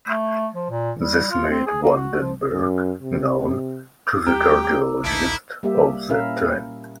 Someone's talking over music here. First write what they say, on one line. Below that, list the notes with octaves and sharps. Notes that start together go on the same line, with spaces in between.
This made Van den Berg known to the cardiologists of that time.
A3
F3
A#2
G3
F4
C4
G#4
A#3
F#4
F3
F#2
C3
D#2 G3 C4 G4 G5 A#5
D6 E6
A#1 D#2 A#3 D#4 E4 A5 B6 D7
G3 A#3 G4 E5
A#2 C#4 E4 A#4 E5 F5